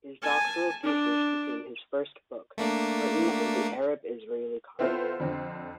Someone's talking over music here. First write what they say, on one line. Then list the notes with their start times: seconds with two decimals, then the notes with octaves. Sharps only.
His doctoral thesis became his first book, "Britain and the Arab-Israeli Conflict".
0.22 G#5 A5
0.83 D4
2.58 A3 A#3 D4
4.79 B3 C4 E4 F4 A4 C5
5.20 F2 D3 C4